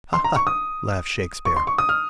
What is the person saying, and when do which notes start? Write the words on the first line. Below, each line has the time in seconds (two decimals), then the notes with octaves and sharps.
"Ha-ha!" laughed Shakespeare.
0.13 C6
0.24 A#5
0.36 C#6
0.47 D#6
1.45 C#6
1.56 C6
1.67 C#6
1.78 D#6
1.89 F6